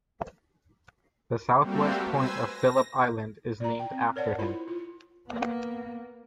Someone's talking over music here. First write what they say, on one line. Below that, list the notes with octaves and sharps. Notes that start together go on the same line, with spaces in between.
The south-west point of Phillip Island is named after him.
G3 A3 A#3 C4 F#4 G4
B4 C5 G#5 E6
A#6
D5 A#5
G5
C4
A#4 C#5 D5 F#5 A5
E4 F4 C5 B5
F4
A#3 B3